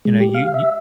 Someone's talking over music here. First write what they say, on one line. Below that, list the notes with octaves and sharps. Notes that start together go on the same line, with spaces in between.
you know you you
G#3
G4
F5
E5